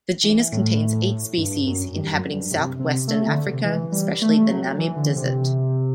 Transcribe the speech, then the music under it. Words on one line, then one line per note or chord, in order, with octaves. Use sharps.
The genus contains eight species, inhabiting southwestern Africa, especially the Namib Desert.
E3
A2
G2
F#2
G2
F#2
F#2
G2
C3
C3
A3
D3
C3
E3
G3
A3
F#3
E3
D3
C3